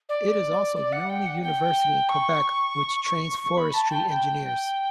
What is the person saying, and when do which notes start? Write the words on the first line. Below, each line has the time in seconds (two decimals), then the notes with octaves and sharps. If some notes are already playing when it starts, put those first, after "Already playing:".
It is also the only university in Quebec which trains forestry engineers.
0.09 D5
0.76 D5
0.92 F#5
1.09 G5
1.26 F#5
1.42 G5
2.09 C#6
3.40 C#6
3.57 B5
3.74 A5
3.90 G5
4.07 G5